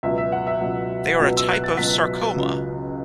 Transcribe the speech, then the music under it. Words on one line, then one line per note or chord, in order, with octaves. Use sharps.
They are a type of sarcoma.
C#2 B2 F#3 E5
E5
F#5
E5
C#2 B2 F#3
C#2 B2 F#3
E6
F#6
A6
C#2 B2 F#3 B6
C#2 C#3 F#3